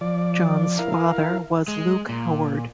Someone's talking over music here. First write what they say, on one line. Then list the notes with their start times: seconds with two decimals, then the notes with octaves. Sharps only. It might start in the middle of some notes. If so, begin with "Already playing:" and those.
John's father was Luke Howard.
0.01 F3 D5
0.79 E4 A#4 F5
1.68 G#3
2.09 A#2